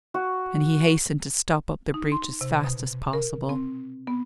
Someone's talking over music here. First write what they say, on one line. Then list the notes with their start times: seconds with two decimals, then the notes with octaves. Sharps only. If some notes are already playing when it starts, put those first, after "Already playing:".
And he hastened to stop up the breach as fast as possible.
0.14 F#4
1.94 D#4
2.12 C6
2.41 C3
2.64 B2
3.13 A#4
3.49 C4
4.07 B3